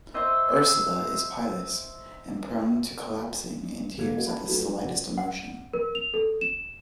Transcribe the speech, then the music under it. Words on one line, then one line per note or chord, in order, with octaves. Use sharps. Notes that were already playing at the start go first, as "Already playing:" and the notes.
Ursula is pious and prone to collapsing in tears at the slightest emotion.
C5 D#5 E5
G1 G#2 G#3 A#3 A4 G#6
A#3 C#4 F#4 A#4 D#5 F#5
A5 B5
F#3 A3 B3 F4 F#4
F#3 D4
B1 F2 C#3 D5 F#5
F#5
A#4
F7
A4
E7